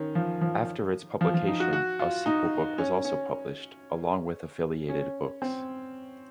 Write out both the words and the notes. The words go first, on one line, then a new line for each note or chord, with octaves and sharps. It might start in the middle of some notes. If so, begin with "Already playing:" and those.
After its publication, a sequel book was also published, along with affiliated books.
Already playing: D#3 C#4
F3
F3
F3
F3
D#4
F#4
F#4
F4
D#4
C#4
C#4
C#4
C4